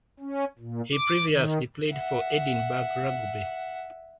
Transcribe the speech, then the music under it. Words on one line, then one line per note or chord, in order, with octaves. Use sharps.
He previously played for Edinburgh Rugby.
C#4
A#2
D6
D#3
E5 F#5